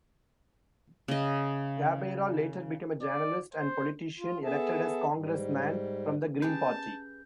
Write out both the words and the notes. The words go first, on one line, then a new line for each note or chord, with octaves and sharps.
Gabeira later became a journalist and politician, elected as congressman from the Green Party.
C#3 D#5
D5
C5
F4
B3 G#4 A4 E5 A5
G#2 G3
C#4 G4 G#4 B4 A5 G6